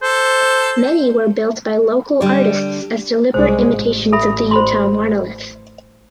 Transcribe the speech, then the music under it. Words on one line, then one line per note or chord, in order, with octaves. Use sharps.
Many were built by local artists as deliberate imitations of the Utah monolith.
A4 C5
D3 G3 D4
C2 G#3 C5
A1
A4 E5 B5
C5 B5 C6